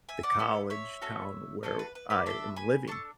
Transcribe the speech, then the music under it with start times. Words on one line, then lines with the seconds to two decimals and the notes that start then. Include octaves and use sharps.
the college town where I am living.
0.09 E5 G#5
0.23 D5 F#5
0.39 B3 E4 A4
0.70 C#5 E5
1.02 A3 C#4 F#4 A4
1.63 A3 D4 F#4 A4
1.79 B4
1.95 B4
2.10 B4 D5
2.26 D4 C#5 E5
2.30 A4
2.56 G#5 B5
2.87 D4 A4 A5 C#6